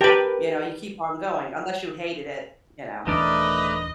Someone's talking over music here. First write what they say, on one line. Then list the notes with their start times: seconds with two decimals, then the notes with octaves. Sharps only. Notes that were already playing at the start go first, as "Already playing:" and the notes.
you know, you keep on going unless you hated it, you know?
0.01 G4 A#4 B4 G5 A5
3.07 D#1 E3 A3 D4 A#4 B4 D5 D#5